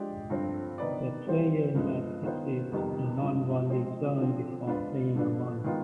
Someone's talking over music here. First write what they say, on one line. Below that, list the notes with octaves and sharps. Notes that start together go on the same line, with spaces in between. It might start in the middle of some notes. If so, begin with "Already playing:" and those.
The player must exit the non-volley zone before playing a volley.
Already playing: F3 G#3 D4 G4 D5
G2 D3 F3 C4
D#3 B3 D#4 B4 D5
G3 C4 F4 C5
G2 F3 G#3 B3
D#3 B3 F4 C5
F2 C3 D#3 G3 B3
G2 F3 G#3
F3 G#3 C4
D3 F3 C4
G#3 D4 F4 B4
G2 D3 F3 B3 D4
D#3 G#3 B3 F4